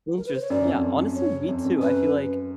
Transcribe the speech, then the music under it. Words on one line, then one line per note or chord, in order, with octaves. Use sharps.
Interesting, yeah honestly, me too, I feel like,
A#4
B4
C5
C#5
F#2 D5
F2
F#2
C#5
F2
F#2
F#2 B4